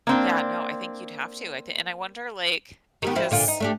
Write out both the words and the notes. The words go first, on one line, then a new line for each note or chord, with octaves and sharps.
Yeah, no, I think you'd have to. I thi and I wonder, like because
A#3 C4 D4
D#3 G3 B3
F3 C4 E4
A#2 D3 F4
D#4
A3 D4 G4